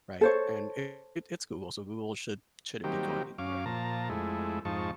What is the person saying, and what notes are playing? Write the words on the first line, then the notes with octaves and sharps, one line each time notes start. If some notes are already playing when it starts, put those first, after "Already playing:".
right? And, it's it's Google, so Google should shouldn't be going anywhere.
A4 C5 C#5
D#3 F#3 G3 A#3 C4 G4
F#2 C#4 F5 D6
A#2 F3 A5 A#5
F2 G#3 A3 E4
F2 G#2 F3 D#4 A5 C#6